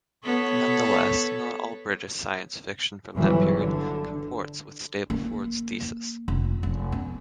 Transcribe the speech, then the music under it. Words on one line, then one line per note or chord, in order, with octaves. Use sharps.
Nonetheless, not all British science fiction from that period comports with Stableford's thesis.
B3 A4 C#5
G1 G2 E3 F#3
D3
A#3
F1
F1
B3